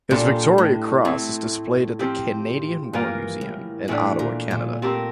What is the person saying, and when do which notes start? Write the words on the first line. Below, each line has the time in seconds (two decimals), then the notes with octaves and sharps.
His Victoria Cross is displayed at the Canadian War Museum in Ottawa, Canada.
0.10 A#2 G3 D4 A4 C5
0.58 A2
1.05 A2 A3 C4 E4
1.99 F3 C4 G4
2.93 G2 E3 A#3 F4 A#4
3.41 A2
3.88 A2 E3 A3 D4
4.19 A#2
4.51 A#2
4.82 A3 C4 G4 A#4